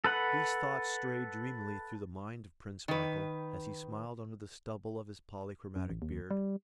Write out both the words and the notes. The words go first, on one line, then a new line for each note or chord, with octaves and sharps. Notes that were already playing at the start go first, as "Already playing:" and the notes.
These thoughts strayed dreamily through the mind of Prince Michael, as he smiled under the stubble of his polychromatic beard.
A4 B4 F#5
D#3 B4
F#2
A1
D#2
G3